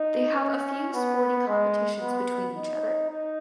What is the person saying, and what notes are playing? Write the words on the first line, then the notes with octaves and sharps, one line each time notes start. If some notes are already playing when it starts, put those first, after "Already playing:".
They have a few sporty competitions between each other.
Already playing: D#4
C#4
B3
G#3
B3
D#4
D#4